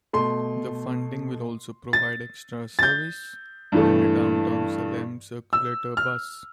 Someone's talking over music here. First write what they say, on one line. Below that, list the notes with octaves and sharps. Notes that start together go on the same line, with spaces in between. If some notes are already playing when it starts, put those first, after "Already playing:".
The funding will also provide extra service, and a Downtown Salem circulator bus.
B2 A3 C6
A6
A6
G6
G2 E3 A3
E6
F6